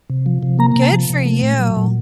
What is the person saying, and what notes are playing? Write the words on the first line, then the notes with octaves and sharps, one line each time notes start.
Good for you.
C3
F3
C3
A#3 A#5
C3
A5
F3
C3
A3
A#2
F#3
A#2